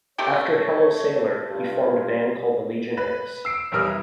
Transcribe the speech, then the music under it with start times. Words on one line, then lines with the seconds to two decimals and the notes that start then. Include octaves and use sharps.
After Hello Sailor, he formed a band called the Legionnaires.
0.18 C3 A3 G4 C#5
1.50 G2 F4
2.97 B4
3.45 E6 C7 D7
3.72 B1 E2 G3 A#4 D#6 F6
3.86 E4